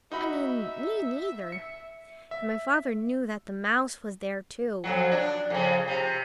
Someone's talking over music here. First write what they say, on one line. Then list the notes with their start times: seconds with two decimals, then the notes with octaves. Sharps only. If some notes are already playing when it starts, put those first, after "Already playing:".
"I mean, me neither," and my father knew that the mouse was there, too.
0.12 D#4 F#4 E5 B5
1.52 C#7
2.31 E5
4.84 F2 B2 F#3
5.11 D4
5.50 F2 C#3
5.88 C3